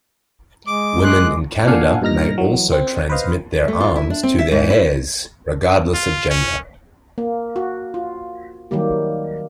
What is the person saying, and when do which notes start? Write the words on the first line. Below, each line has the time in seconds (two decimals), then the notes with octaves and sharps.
Women in Canada may also transmit their arms to their heirs, regardless of gender.
0.67 G#3 D6
1.04 C6 D6 F#6
1.67 A#2 D4 F5 F#5 G#5
2.02 G2 A#2 D#4 F6 A#6
2.38 E3 F#3
2.72 C4
3.10 B4 C5 D#5 F5
3.68 A3
3.80 F4
3.96 E4
4.10 D4
4.23 C4
4.39 E5
4.52 G#2
4.70 E4
5.94 F4
6.29 C#4
7.18 A#3
7.56 F#4
7.94 F4
8.71 D#3 F#3 G3 A#3 G4